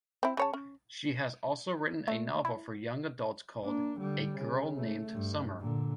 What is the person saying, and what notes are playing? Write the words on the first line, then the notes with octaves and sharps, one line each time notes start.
She has also written a novel for young adults called "A Girl Named Summer".
C4 E4
C#3 C#5 A5
C#4
A3
E4
A#3 D4
D3 G3
C#3
A3
G2
A#2 D3